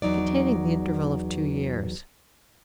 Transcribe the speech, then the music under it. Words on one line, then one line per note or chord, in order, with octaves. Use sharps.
Containing The Interval Of Two Years.
E2 F#3 D#4 D5